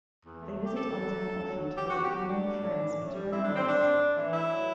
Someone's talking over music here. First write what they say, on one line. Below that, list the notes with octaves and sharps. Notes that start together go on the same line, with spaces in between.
They visit Oldtown often to visit family and friends and to reminisce.
E2
A3
C3
G4
E2 A4
F#3
A3
E2
F#3
F#3
E2 G4
F#4
E2
G4
F#3 F#4
A2 D4
G3
A2
E3
A2
G3
C4 E4
A2 D4
C4
A2 D4
C4
A2
E3
A2 E4
F#3